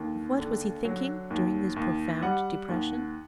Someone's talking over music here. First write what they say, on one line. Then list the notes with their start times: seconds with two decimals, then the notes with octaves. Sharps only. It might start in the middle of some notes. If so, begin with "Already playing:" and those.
Of what was he thinking during this profound depression?
Already playing: D#2 D3
0.39 D3
0.85 F#3
1.30 D#2
1.76 D#2
2.22 G3 F#5
2.68 D#2